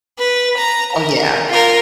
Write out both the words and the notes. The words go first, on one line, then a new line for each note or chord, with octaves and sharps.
Oh, yeah.
B4
A#5
A#4
F4 A#4